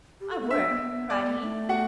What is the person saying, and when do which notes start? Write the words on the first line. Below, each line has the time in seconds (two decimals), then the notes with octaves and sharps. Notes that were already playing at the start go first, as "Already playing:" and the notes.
"I work!" cried he.
0.21 G4
0.31 A4
0.41 B3
0.50 D4 E5 E6
0.70 B3
0.80 B3
1.09 B3 D5 D6
1.40 A3
1.69 F#4 F#5